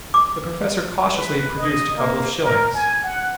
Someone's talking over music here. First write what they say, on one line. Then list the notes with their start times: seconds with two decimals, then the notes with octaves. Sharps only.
The Professor cautiously produced a couple of shillings.
0.14 D6
1.15 B4
1.59 D#5
1.97 A#3
2.44 A#4
2.74 G#5
3.04 F#5